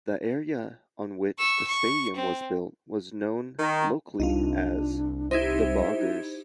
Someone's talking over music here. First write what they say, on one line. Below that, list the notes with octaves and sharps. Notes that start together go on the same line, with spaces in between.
The area on which the stadium was built was known locally as The Boggers.
C#6 E6
C#6
C4
D#3
C2 D4 D#4 F4
D#4 E4 G4 C5 E5 G#6